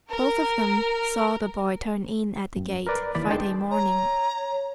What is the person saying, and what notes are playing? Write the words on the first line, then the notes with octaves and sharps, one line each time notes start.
Both of them saw the boy turn in at the gate Friday morning.
A#4
F#2
A#4 B4 D5
D#2 E3 D5 B5
D4 D#4 G#4 G5 A5 C6
C#5 A#5